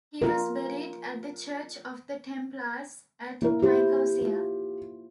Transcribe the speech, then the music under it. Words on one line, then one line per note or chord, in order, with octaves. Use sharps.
He was buried at the Church of the Templars, at Nicosia.
F4 A#4
A#3 E4 A#4
E4 G4 C5
F4